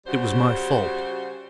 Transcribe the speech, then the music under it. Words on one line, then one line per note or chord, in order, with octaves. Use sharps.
It was my fault.
C#3 G3 F#4 C5